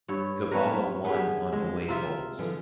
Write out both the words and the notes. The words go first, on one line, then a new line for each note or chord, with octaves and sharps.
Gabala won on away goals.
G2 C#5
F#2 B3 A#4 B4 C#5 A5
B3 D4 G4 G#4
G#3
C3 F4 E5 A#5
D3 E3 F3